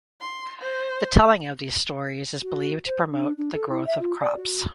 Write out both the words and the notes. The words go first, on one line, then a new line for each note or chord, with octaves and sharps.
The telling of these stories is believed to promote the growth of crops.
C6
C5
F#4
C5
D4
D4
A4
E4
E5
F4
D5
F#4